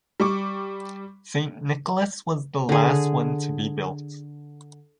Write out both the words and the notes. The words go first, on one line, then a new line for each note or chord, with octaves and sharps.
St Nicholas was the last one to be built.
G3 C#6 D6
D3 G#4